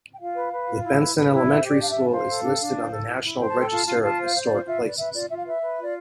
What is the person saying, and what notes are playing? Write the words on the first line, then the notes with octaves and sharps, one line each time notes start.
The Benson Elementary School is listed on the National Register of Historic Places.
G5
F4 F5
B4
B4
F4
E4
B4
B4
E4
D5
C5 E5
G4
D5
D4 F5
E5
D4
C5 F5
A4
D4
D4
C5
A4
E4
E4
C5 G5
A5
A4
G5
F4 A5
F4
F4 A5
C5 F5
C5
D5
F4
F4 E5
B4 D5
B4 E5
F4 D5
F4 E5
F5
B4 E5
B4
F4 D5